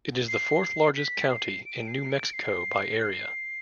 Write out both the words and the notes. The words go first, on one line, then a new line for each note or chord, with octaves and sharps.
It is the fourth-largest county in New Mexico by area.
C7
B6
C7
D7
C7
D7
C7
C7